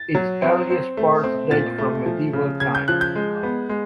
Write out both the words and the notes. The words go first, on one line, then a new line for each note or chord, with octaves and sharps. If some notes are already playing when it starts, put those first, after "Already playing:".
Its earliest parts date from medieval times.
Already playing: A6
F#3
C4
C4
A3
C4
A#2 A6
A3
F3
C#3
C#3 G#6
G6
F3 F#6
G6
G#3
B3
G#3